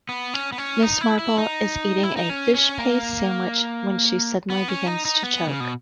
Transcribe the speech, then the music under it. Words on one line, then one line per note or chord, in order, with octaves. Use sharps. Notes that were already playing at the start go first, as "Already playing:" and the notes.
Miss Marple is eating a fish-paste sandwich when she suddenly begins to choke.
B3
C#4
B3
C#4
D#4
E4
E4
D#4
E4
D#4
C#4
C#4
A#3
B3
C#4
D#4
D#4
B3
C#3
B2